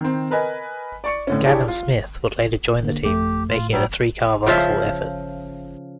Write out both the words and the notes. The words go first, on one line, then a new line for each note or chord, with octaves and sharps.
Gavin Smith would later join the team, making it a three-car Vauxhall effort.
D#3 C4
A#4 B4 D#5 G#5
D5 C#6 C#7
A2 D3 C#4
D4 E4 G4 G#4 C#5 A5
F4
D3 A#3
F2 A3 G4
A2 F4
F#3 G3
C#3 F3 F4 E5